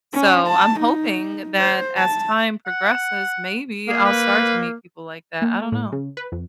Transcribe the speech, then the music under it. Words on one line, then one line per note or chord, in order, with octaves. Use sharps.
So I'm hoping that as time progresses, maybe I'll start to meet people like that. I don't know.
C#4
A5
D#4
C5
A5
F#5
A#3 G#4
B4
A#3
A3
A2
C#3
B4
F2